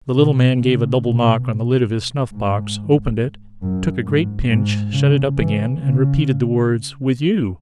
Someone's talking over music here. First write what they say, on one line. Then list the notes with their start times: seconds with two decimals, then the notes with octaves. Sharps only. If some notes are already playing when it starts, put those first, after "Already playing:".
The little man gave a double-knock on the lid of his snuff-box, opened it, took a great pinch, shut it up again, and repeated the words, 'With you.'
0.15 B2
0.59 C#3
1.02 B2
2.33 G#2
3.62 F#2
4.06 G#2
4.50 G#2
4.93 C#3
5.37 E3
5.79 C#3